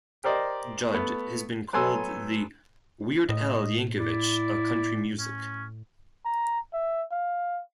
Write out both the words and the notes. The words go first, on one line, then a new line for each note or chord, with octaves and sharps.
Judd has been called the "Weird" Al Yankovic of country music.
G4 A#4 C5 D5 D#5
A3 B3
F#3 B3 A4 G#5 C6 E6
A2 D#5
E4 D5
C#4
A#5
E5
F5